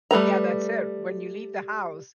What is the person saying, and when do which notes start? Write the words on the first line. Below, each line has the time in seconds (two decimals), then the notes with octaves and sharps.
Yeah, that's it. When you leave the house,
0.11 G3 A3 B4 A#5